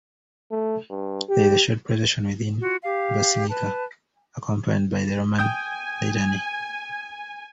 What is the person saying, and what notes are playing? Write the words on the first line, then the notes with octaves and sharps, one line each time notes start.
There is a short procession within the basilica, accompanied by the Roman litany.
A3
G2
G4
F4 F#4
G4 F5
B4 A5
G5 G#5 D#6 G6